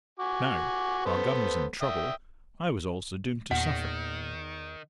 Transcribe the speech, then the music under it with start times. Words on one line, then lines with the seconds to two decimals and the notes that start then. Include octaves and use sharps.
Now, while Gun was in trouble I was also doomed to suffer.
0.19 F#4 G#5 D6
1.05 B3 A4 C5
1.82 E5 G5 D#6
3.51 E2 A#2 D#3 F#5